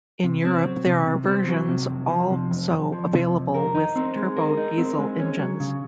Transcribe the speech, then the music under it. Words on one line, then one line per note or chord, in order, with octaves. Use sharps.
In Europe there are versions also available with turbo diesel engines.
C3
C4
F#3
C3
C3
C4
F#3
C3
F2
F3
C3
F2
F2
F3
C3
F2
A#4
D#4
C4
G#3
A#4
D#4
C4
G#3
C#4
F#3
C#3